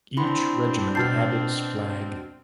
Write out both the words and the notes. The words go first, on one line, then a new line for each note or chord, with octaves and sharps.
Each regiment had its flag.
C4 D4 E4 B5 C6
B2 A5 F6 G6 A6 C7